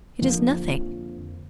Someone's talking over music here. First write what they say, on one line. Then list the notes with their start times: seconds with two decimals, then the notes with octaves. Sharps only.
"It is nothing."
0.21 F2 D3 F3 A#3